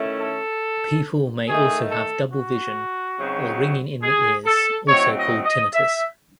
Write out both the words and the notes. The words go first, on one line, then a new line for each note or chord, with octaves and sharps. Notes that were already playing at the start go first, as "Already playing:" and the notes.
People may also have double vision or ringing in the ears, also called tinnitus.
Already playing: D#3 A3 C#4 E4
A4
D#3 A3 D#4 G#4
A4
F#4
C#3 F#3 C4 D#4
G#4
A4
A2 F#3 C4 D#4 C#5
D#5
D#5
E5